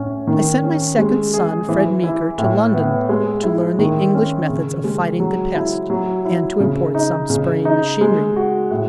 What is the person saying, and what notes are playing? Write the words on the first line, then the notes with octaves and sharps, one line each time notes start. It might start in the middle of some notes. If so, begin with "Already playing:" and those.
I sent my second son, Fred Meeker, to London to learn the English methods of fighting the pest and to import some spraying machinery.
Already playing: A2 C#4
D#3
C#4
G#3
G#4
E3
E4
A2
B3
G#3
E4
D#3
C#4
C#3
G#3
F#3
E4
F#3
E4
C#3
D#4
C#3
D#4
G#3
F#4
A2